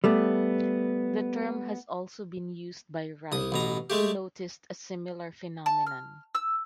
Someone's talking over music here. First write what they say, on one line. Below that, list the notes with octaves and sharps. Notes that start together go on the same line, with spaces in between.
The term has also been used by Wright, who noticed a similar phenomenon.
G3 A3 B3
C2 D#6
A1 B2 A#5
G#3 A3 G4
A5
F6
E6